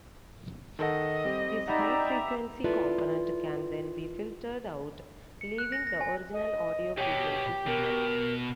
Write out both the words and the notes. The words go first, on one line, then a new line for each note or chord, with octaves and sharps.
This high-frequency component can then be filtered out, leaving the original audio frequency signal.
D#3 A4 D#5 F#5
G3 C4 G4
D#4 G4 D5 E5 F#5 A#5 B5
E4 F4 A4 B4 D5
C#7
F#6
A#6
A#6
G#5
D#5
B2 G4 C#5 G5
B2 A#4